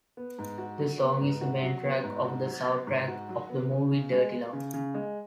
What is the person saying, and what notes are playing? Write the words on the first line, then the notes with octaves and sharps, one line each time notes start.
The song is the main track of the soundtrack of the movie "Dirty Love".
B3
G#2
F#4
F#3
B3
G#2
F#4
F#3
B3
G#2
F#4
F#3
B3
G#2
F#4
F#3
B3
C#3
C#3
G#3
B3
C#3
C#3
G#3